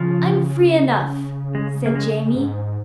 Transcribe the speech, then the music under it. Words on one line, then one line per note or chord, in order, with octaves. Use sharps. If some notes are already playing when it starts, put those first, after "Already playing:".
"I'm free enough," said Jamie.
Already playing: C#3 F3
G#3
A#3
G#3
G#2